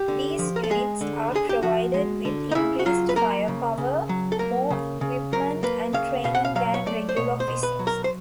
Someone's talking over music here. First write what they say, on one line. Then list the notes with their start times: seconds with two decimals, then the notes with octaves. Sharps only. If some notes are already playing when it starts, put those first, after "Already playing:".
These units are provided with increased firepower, more equipment and training than regular officers.
Already playing: G4
0.08 D3
0.39 F3
0.56 A#4
0.64 A4
0.70 G#3 G#4
1.01 D3
1.32 D3 G#4
1.49 G4
1.63 F3 F#4
1.94 G#3
2.25 D3
2.51 D#4
2.55 C#3 E4
2.79 F#4
2.86 F#3 F4
3.09 B4
3.16 A#3 A#4
3.48 C#3
3.78 C#3
4.09 F#3
4.32 A4
4.39 A#3 A#4
4.70 C#3
5.01 C#3
5.32 F#3 A#4
5.63 A#3 B4
5.93 C#3 F5
6.24 B2 F5
6.35 F#5
6.45 F5
6.55 F#3 F5
6.74 C#5
6.86 A3 D5
7.09 C5
7.16 B2 C#5
7.40 C5
7.48 B2
7.63 B4
7.79 F#3
7.87 A#4
8.04 C5